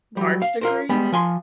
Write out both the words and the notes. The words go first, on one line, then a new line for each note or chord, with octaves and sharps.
large degree,
F#3 G3
F5
F4 A#4 C5
G3 G#3 B3
F3 G#5 C6